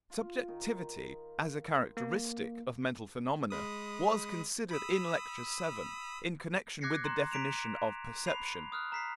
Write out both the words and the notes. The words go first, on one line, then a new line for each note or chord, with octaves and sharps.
Subjectivity, as a characteristic of mental phenomena, was considered in Lecture VII, in connection with the definition of perception.
F4
D#3
A#3
G#3 B5 D#6
B5 D#6 E6
D6 F#6 G#6 A#6 C7 C#7
A#5 C6 F#6
A#5 B6 D7 E7 F7
B5 C7 F7
D#6 F6 F#6
A#5 B6 C7